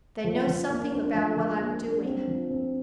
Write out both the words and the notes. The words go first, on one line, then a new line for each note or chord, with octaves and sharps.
They know something about what I'm doing.
F3
F3
A#3
D4
F3
F3
A#3
D4
C4
F3
C4